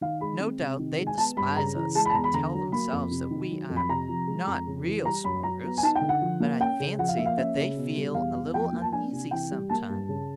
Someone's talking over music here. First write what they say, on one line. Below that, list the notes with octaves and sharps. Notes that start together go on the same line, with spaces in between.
No doubt they despise us, and tell themselves that we are not real smokers, but I fancy that they feel a little uneasy sometimes.
D#3 F5
G#3 B5
C4
C3
D#3
G#3
G#5
B3 A5
G2 B5
C#3 A#5
E3
G#3 A5
B5
A5
E2 A#5
B5
D3 A#5
F#3
A#3 B5
F2
C3
D#3
F#3
F2
B5
C3 A#5
F3
G#3
F2
C#3
E3
G3 A#5
F#2 B5
F#3 A#5
B3
G#5
D#4 A5
G5
D3
F#5
F3
A#3
C#4 G5
C#3
F3 F#5
F5
A#3 E5
F5
C#4 E5
C#3
B2
G3
E2 F5
E2
F3 G5
A#3
A5
D4 G#5
C3
E3 G5
G3
A#3 A5
G2
C#3